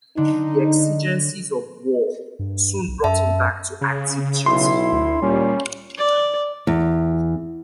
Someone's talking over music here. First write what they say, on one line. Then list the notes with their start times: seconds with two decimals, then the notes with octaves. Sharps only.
The exigencies of war soon brought him back to active duty.
0.17 D3 D4 D#4
2.39 G2
2.88 B1
3.04 F#2 E5 A5
3.81 C#3
4.46 B1 E4 C6
4.92 D2
5.22 A#2 G3 C#4
5.97 D5
6.67 E2